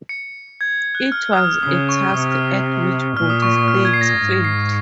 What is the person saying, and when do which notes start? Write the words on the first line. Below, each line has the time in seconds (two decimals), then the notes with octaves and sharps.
It was a task at which both states failed.
0.09 C#7
0.61 G#6
0.95 F#6
1.12 F6
1.33 D#6
1.37 F6
1.55 F6
1.63 C#3 D#6
1.89 C#6
2.03 F6
2.14 C3 D#6
2.31 F6
3.17 A#2 F6
3.30 D#6
3.42 C#6
3.55 D#6
3.68 F6
3.85 G#6
3.94 C7
4.01 A#6
4.19 G#2
4.44 C7